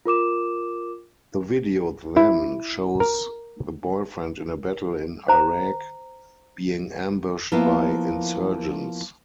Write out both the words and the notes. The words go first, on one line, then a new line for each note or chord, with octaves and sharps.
The video then shows the boyfriend in battle in Iraq being ambushed by insurgents.
F4 A#4 D6 E7
E4
A#4
C5 A#5
F3 A#3 B3 E4 F5